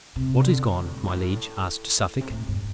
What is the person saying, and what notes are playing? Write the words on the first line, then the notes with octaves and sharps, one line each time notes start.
"What is gone, my liege?" asked Suffolk.
C3
D3
C3
A2
G2
A2
C3
A2
G2